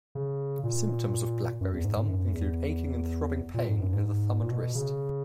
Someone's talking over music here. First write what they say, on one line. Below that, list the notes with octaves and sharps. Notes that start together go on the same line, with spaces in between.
Symptoms of BlackBerry thumb include aching and throbbing pain in the thumb and wrist.
C#3
A#2
F#2
E2
G#2
G#2
F#2
E2
A#2
G#2
F#2
G#2
A#2
B2
C#3